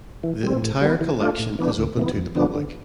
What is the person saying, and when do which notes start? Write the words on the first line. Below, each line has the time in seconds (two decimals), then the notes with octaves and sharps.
The entire collection is open to the public.
0.23 E3
0.43 G3 C4
0.62 A2
0.81 G3 B3
1.01 E3
1.20 A3 D4 F4
1.39 A2
1.59 E3 B3 D4
1.78 D2
1.97 C3 E3 B3
2.16 F2
2.35 D3 F3 B3 D4
2.55 D3